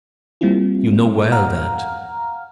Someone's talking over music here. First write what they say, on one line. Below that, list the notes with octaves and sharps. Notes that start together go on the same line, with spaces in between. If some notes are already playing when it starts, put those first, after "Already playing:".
You know well that.
G3 A#3 C4 E4 F4
F5 F#5 A#5 F6